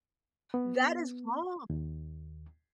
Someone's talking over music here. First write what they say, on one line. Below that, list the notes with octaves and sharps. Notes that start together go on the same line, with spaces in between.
that is wrong.
B3
D#2